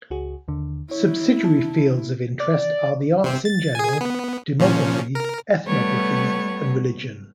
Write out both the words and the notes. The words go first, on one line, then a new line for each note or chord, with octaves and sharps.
Subsidiary fields of interest are the arts in general, demography, ethnography and religion.
C#2 F#4 G#4
D#2 D3
E4 C#5
A5
D5
C3 C4
A6
G#4 G#5
B3
A#2 F3 C#4
A#4
G3 A3 B3 C#5